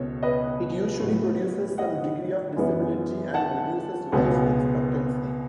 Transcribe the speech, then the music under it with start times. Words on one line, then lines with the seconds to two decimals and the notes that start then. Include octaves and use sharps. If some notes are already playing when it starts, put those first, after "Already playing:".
It usually produces some degree of disability and reduces life expectancy.
Already playing: C#2 B2 A4 C#5
0.23 B4 D#5
1.00 A2 F#3 B3
1.78 D#5 F#5
2.56 F#2 E3 G#3 B3
3.34 F#5 A5
4.12 C#2 B2 G#3 B3